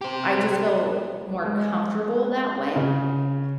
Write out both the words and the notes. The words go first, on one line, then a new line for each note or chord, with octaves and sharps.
I just feel more comfortable that way.
G4 C5
G#3
C#3